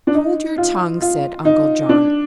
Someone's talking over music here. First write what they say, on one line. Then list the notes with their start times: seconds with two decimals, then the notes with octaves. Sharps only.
"Hold your tongue," said Uncle John.
0.07 D4
0.14 D#4
0.58 F4
1.02 F4
1.45 D#4
1.89 D4